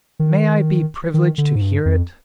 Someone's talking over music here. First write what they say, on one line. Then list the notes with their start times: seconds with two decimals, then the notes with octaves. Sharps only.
May I be privileged to hear it?
0.19 D#3
1.14 D#3
1.38 D3
1.56 G#2
1.61 G2
1.85 F2